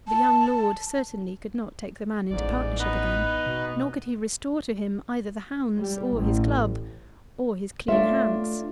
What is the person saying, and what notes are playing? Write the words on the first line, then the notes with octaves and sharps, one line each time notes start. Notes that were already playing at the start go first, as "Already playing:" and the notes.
The young Lord certainly could not take the man into partnership again, nor could he restore to him either the hounds or his club,--or his clean hands.
A5
A1 G#2 D5
B3 D#4 B4
B2
G3
A1
A3 D4 F4 C#5 E5